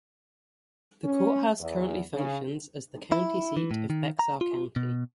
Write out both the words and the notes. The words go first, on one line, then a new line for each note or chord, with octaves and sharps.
The Courthouse currently functions as the county seat of Bexar County.
C#4
E2
C#3
E4
E3
A2
D#3
A#5
F4
B2